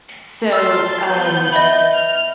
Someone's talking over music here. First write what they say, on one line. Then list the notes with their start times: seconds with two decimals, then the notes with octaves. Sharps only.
So, um,
0.53 A5 C6 E6 F6
1.06 B3 G6
1.52 D#5 E5 B5
1.94 F6